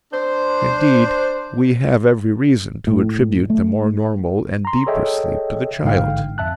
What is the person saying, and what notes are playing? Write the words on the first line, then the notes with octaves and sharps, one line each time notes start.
Indeed, we have every reason to attribute the more normal and deeper sleep to the child.
D4 C5
A2
A3
A#5 C6
G#4 A4 C#5 D#5 E5 G5
A1 G#2 D3 F5 G5
F2 E5 A5 F#6